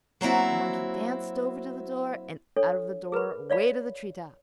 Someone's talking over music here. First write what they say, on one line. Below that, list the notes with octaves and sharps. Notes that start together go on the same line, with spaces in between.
The monkey danced over to the door and out of the door away to the tree top.
F#3 A#3 C4 E4 F#4
D4 A4 C#5
G#4 A#4 B4 B5
C#5 D5 F5 B5